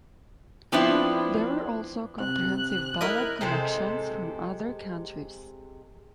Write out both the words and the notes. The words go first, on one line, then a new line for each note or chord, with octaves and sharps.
There were also "comprehensive" ballad collections from other countries.
F3 B3 C4 D4 E4
C3 F#6
E4 A#4 D#5
C3 G#3 A4 C5